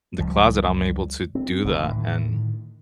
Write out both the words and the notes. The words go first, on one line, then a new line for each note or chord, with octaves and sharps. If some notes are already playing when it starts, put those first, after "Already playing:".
the closet, I'm able to do that, and
C#2 F3 G3
C4
F1 D2 D3
A2 D3 D#3